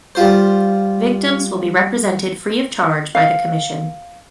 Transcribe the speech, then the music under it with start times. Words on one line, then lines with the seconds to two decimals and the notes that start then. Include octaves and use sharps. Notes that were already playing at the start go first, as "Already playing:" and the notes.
Victims will be represented free of charge by the commission.
0.15 G3 F4 C5
3.15 F5